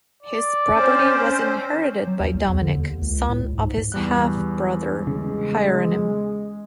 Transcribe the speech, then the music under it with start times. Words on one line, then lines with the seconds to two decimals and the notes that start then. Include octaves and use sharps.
His property was inherited by Dominik, son of his half-brother Hieronim.
0.23 D5
0.75 C4 C#4 C5
2.07 F#3
2.20 D#2
2.35 C2
2.49 E2
2.61 D3
2.78 D#2
3.02 C#2
3.29 A2
3.43 C#2
3.58 G#2
3.92 E2 G3 F#6
5.07 C#3 G#3